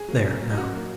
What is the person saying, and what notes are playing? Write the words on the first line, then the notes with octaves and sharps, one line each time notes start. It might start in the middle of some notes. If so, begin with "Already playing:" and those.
There, now!
Already playing: G#4
F#3 A#3
F#2
F#3 A#3
D#4
F#2 F#4
F#3 A#3